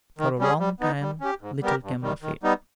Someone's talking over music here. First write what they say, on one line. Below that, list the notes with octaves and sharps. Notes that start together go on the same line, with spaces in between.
For a long time little came of it.
D#3
G3 C#4 G#4
G3
B3 D#4
G3
C#4 G4
G#2
G3 B3 G4 A#4
G2
D#3 G3
D#3
G3 B3 D#4